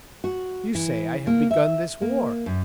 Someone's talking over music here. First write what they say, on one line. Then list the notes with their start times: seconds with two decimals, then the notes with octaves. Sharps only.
You say I have begun this war!
0.24 F#4
0.75 E3
1.27 A#3
1.51 E5
2.02 A#3
2.46 F#2